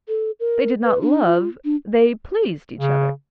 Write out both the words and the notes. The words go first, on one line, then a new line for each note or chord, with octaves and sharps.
They did not love, they pleased, each other.
A4
A#4
B4
D4
F4
D4
C#3